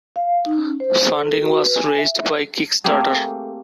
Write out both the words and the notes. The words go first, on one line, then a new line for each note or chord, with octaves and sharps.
Funding was raised via Kickstarter.
F5
D#4
C#4
C5
A4
F#4
B4
G#5
E5
A3 A#3 C4 G4 G#4